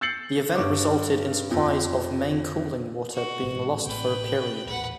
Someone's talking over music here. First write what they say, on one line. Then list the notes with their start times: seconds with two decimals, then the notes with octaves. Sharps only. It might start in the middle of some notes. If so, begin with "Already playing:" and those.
The event resulted in supplies of main cooling water being lost for a period.
0.01 E6 G6 A6 C7 C#7 F#7
0.55 G2 C#5 D6
1.51 F2
3.13 F#4
3.43 A1 G#2
3.86 A1 A2 C3 B4 G5
4.66 D#1 A1 B4 F#5